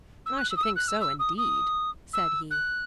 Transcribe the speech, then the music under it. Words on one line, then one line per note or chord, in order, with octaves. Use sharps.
"I should think so, indeed," said he.
E6
F#6
E6
D#6
E6
F#6
E6
E6
D#6
D#6
E6
F#6